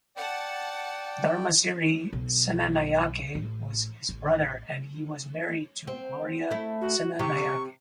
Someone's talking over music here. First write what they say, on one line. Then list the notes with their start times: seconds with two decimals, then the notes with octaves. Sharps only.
Dharmasiri Senanayake was his brother and he was married to Gloria Senanayake.
0.17 D5 F#5 G5 A5
2.13 B1
3.35 A1
4.09 A1
5.87 C4
6.51 A3 E4
6.81 F#4
7.19 C3 G4 C#6